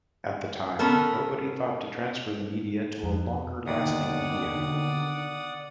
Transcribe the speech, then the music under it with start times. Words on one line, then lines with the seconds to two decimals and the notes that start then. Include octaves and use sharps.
At the time nobody thought to transfer the media to a longer-lasting media.
0.79 B3 C#4 A4 A#4
3.03 F2
3.66 D#2 B2 D3 D#3 D5 F#5 D#6